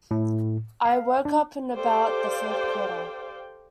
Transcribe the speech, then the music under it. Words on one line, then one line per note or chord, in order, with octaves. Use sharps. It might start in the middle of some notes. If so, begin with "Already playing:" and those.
I woke up in about the third quarter.
A2
F5
D4
G4 A4 C5 D5 F5 G5